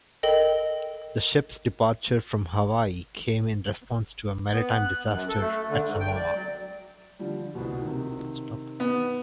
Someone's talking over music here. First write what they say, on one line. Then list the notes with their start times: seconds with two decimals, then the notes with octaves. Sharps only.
The ship's departure from Hawaii came in response to a maritime disaster at Samoa.
0.23 A4 A#4 D#5 G5
4.53 B3
4.75 F#6
5.13 F#2
5.29 A4
5.41 A3
5.70 D3
5.85 G#2
6.00 G5
6.15 D5
6.34 F#3
7.19 D3 F3 G3
7.55 C2 B2
7.82 C3 D#3
8.80 B3